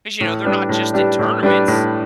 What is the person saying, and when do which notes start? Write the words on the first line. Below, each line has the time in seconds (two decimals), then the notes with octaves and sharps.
'cause, you know, they're not just in tournaments.
0.21 A2
0.44 G3 D4 G4 B4
0.69 A2
0.94 G3 D4 G4 B4
1.19 A2
1.43 G3 D4 G4 B4
1.68 A2